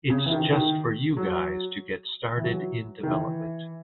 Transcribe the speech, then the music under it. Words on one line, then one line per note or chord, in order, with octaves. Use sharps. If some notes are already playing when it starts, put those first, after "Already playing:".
It’s just for you guys to get started in development.
C#3
E3
D#3
D#3
F#3
E3
F#3
D#3
E3